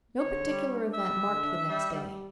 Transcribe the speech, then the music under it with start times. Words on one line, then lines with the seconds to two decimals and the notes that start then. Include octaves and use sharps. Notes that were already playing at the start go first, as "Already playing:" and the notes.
No particular event marked the next day.
0.20 D3 C#5
0.45 G3
0.70 D4
0.94 G3 E5
1.19 D3
1.44 D4
1.69 G3
1.95 G3